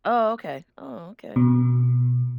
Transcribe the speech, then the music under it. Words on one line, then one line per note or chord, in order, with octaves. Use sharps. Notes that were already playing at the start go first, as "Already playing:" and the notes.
Oh, okay, oh, okay
B2